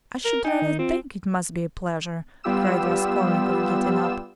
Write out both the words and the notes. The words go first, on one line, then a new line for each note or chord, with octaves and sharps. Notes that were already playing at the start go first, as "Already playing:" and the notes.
"I should rather think it must be a pleasure!" cried Raskolnikov, getting up.
A#4
D#4 G5 G#5
D#3
C4 F4
G3 B3 F4 G4 E6 E7